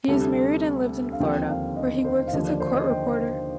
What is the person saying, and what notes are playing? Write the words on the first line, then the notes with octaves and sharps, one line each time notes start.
He is married and lives in Florida, where he works as a court reporter.
D2 C3 G3 C4 A4
F5
D#2 D3 F3 C4 G5
F5
D#5
C5
F5
D#2 D3 F3 D#5
D5
C5
D#5
G5